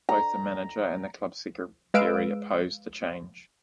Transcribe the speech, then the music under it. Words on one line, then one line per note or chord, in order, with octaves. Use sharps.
Both the manager and the club secretary opposed the change.
A#5
G#3 B4 F5 E6 D7